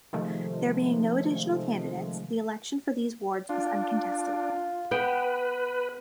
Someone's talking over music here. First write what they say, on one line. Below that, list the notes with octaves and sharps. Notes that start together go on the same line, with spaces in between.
There being no additional candidates, the election for these Wards was uncontested.
C3 D#3 F3 G#3 A3
D4 F4
B3 B4 G5